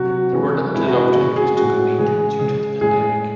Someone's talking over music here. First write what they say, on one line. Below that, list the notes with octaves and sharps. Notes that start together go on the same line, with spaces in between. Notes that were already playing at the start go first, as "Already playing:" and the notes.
There were limited opportunities to compete due to the pandemic.
Already playing: C3 F#3 F#4
C3 E3 G#3
C3 E3 G#3 E4
F#4
E4
C#3 G#3 F#4
G#4
A2 G#3 F#4
C#3 E3 G#3 G#4
C#3 G#3 G#4
A2 G#3 G#4